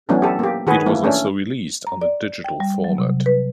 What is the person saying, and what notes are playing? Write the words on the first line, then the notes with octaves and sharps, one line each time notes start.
It was also released on the digital format.
E3 F#3 A3 B3 C#4 D4
G4 A4
A#3 G4
D#3 F#4 G#4 B4
E3 A3 A#3
A3 C#4 D4
A#5
D5
G5
G3
F#3
C3
B4